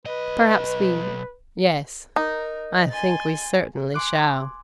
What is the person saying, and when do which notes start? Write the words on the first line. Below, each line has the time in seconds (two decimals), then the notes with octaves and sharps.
"Perhaps we--Yes, I think we certainly shall."
0.05 B1 B4 D#5
2.16 D#4 A#4
2.89 G#5 C6 A6
3.94 G#5 C6 D6 F#6